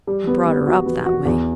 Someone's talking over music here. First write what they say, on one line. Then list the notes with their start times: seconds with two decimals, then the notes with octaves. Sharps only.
I brought her up that way.
0.07 G3
0.27 B3
0.46 B3
0.66 F#4
0.86 B3
1.05 F#4
1.25 E2